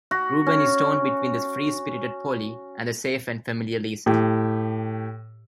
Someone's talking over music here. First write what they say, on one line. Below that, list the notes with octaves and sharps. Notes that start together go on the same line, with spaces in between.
Reuben is torn between the free-spirited Polly and the safe and familiar Lisa.
F#4
C#4
A2 G4